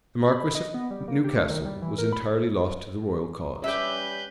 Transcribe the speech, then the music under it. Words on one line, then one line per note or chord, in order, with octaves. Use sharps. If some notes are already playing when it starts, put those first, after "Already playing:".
The marquis of Newcastle was entirely lost to the royal cause.
B5
D#5
B3
G3
A#3
G4
A3
D#3
G3
E3
A#4
B5
G3 C#4 G4 B4 E5 G6